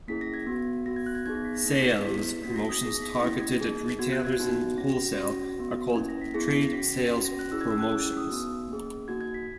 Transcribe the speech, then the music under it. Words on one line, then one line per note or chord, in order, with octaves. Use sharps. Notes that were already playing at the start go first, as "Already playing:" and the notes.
Sales promotions targeted at retailers and wholesale are called trade sales promotions.
A#3 C#4 E4 G#4 B6
A#6
G#6
B3 F#4
B3 F#4 A#6
G#6
F#6
G#6
B3 D#4 G#4 G#6
A#6
B6
A#6
A#3 D#4 G#4
B3 E4 G#4 B6
A#3 C#4 F#4 B6
A#6
D#6
B3 D#4 G#4 A#6
B6
A#3 C#4 E4 A#6
G#6
A#3 D#4 G#4
B3 F#4 G#6
F#6
G#6
B3 D#4 F#4
C#4 F#4 A#6
A#6
C#4 F#4 A#6
B3 F#4
A#3 C#4 E4 G#6
A#6
B6
B3 E4 G#4 A#6
A#6
C#4 F#4 B6
C#4 F#4
A#6
F#6
C#4 E4 G#4 E6
G#6
E6
F#6
C#4 E4 G#4 E6
D#6
B3 D#4 F#4 E6
A#3 C#4 G#4
A#3 D#4 F#4 G#6
G#6
B6